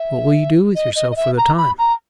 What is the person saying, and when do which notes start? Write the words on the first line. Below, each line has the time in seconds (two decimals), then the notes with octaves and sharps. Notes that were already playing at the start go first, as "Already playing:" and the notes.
"What will you do with yourself for the time?"
Already playing: E5
0.75 D#5
0.96 D#5
1.11 D#5
1.16 E5
1.37 A#5
1.58 B5
1.79 A#5